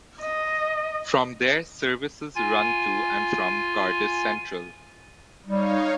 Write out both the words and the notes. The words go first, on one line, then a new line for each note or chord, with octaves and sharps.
From there services run to and from Cardiff Central.
D#5
F4 G#5
G3 D#4 C#5 F5